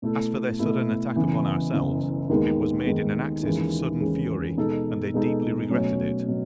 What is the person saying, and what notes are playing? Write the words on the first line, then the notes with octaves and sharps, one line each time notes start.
As for their sudden attack upon ourselves, it was made in an access of sudden fury, and they deeply regretted it.
B2 A3 E4 A4
B2 A3 E4 A4
F#1 F#2 E3 B3
F#1 F#2 E3 B3
D#2 D#3 G#3 B3
D#2 D#3 G#3 B3
D#2 C#3 E3 G#3
D#2 C#3 E3 G#3
B2 G#3 D#4 A4
B2 G#3 D#4 A4
B2 F#3 A3 C#4
B2 F#3